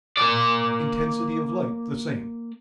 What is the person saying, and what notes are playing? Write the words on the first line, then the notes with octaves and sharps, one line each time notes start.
Intensity of light the same.
A#3 D5